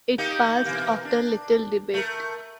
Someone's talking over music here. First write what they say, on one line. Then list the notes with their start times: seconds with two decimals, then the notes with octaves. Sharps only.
It passed after little debate.
0.18 A#3 D#4 G4
0.65 B2 E3 A#3
1.05 D4
1.94 A3 A#4